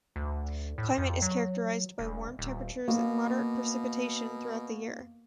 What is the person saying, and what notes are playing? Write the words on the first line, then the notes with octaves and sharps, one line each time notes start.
Climate is characterized by warm temperatures and moderate precipitation throughout the year.
D2
A2
F2
F#3
E1
D#1
B2 A#3